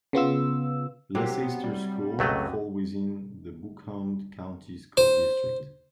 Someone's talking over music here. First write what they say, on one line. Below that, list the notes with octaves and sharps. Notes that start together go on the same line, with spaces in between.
Leicester's schools fall within the Buncombe County School District.
C#3 B3 F4 E6
C3 F#3 C4 G4
B3
G3
C#2 F#2 F#3 A3 F#4 G4 D#5
C5